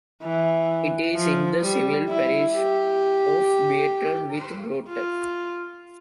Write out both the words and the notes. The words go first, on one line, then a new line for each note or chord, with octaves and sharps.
It is in the civil parish of Bierton with Broughton.
E3
F3
G3
E4
G4
F4